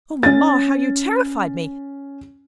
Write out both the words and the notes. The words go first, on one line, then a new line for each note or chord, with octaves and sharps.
'Oh, mamma, how you terrified me!
C#4 A6